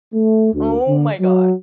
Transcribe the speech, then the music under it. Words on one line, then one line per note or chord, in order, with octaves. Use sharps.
Oh my god.
A3
D2
D3
F#3